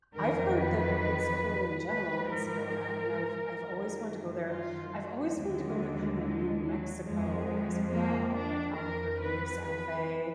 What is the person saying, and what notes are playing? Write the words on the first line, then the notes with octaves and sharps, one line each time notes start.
I've heard that it it's cool in general in Sedona, and I've I've always wanted to go there. I've always want to go to, kinda, New Mexico as well, like Albuquerque or Santa Fe,
F2 D#3 F#3 A#4
B4
G#2 F3 B4
A#4
F#2 D#3 F#3
F4
F#3
D#2 D3 F#3 G#3
G#3
F#3
F2 F3 G#3
A#3
D4
F2 F3 A#4
B4
B4